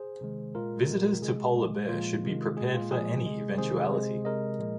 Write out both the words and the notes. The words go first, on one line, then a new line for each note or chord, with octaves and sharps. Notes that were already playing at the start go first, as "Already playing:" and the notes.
Visitors to Polar Bear should be prepared for any eventuality.
Already playing: G#4 C5
C3 D#3 G#3
A#2 G#3 F4 A#4
A#2 G#3
C3 G#3 G#4
A#2 G#3
A#2 F3 G#3 F4
C3 D#3 G#3
A#2 G#3 G#4
F4
A#2 F3 G#3 G#4
C3 G#3
C3 D#3 G#3 G#4 C5
C3 G#3
C3 G#3 A#4 D#5
A#2 F3 G#3